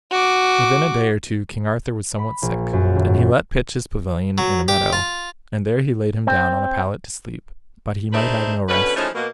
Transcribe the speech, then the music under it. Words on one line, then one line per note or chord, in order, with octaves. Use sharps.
WITHIN a day or two King Arthur was somewhat sick, and he let pitch his pavilion in a meadow, and there he laid him down on a pallet to sleep, but he might have no rest.
F#4 D6
B5
A#1
F#2
D#1
F#3
G4
F4
C4
D4 D#4 G#4 B4 C5 E5
B2 D3 C#4 B4
E3 F3 G#3 A3 C#4 D#4
B2 A#3